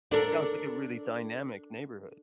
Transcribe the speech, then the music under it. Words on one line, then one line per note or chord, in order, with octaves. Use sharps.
Sounds like a really dynamic neighborhood.
D4 A4 A#4